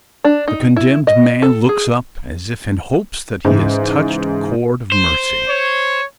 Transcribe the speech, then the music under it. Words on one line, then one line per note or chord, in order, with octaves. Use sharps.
The condemned man looks up, as if in hopes that he has touched a chord of mercy.
D4
D#4
E4
D#5
A4
G#4
G#2 C#3 E3
C5
C#5